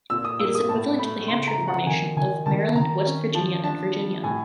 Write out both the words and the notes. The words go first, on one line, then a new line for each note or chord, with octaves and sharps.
It is equivalent to the Hampshire Formation of Maryland, West Virginia, and Virginia.
A#2 E6
D#6
A#3 E6
D#6
A2 A5
A3 B5
C#3 C6
A#5
F3
F#5
D#3 G#5
D#3 G#5
D#3 A5
D#3 A#5
C#4
F3 A5
D4 A5
G3
A2 G#5